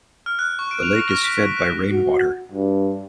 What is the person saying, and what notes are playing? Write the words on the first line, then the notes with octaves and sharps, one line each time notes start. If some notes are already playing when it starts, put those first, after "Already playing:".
The lake is fed by rain water.
F6
F#6
C#6
D7
F7
A#6
F6
B6
C#6
F#6
F#4
G2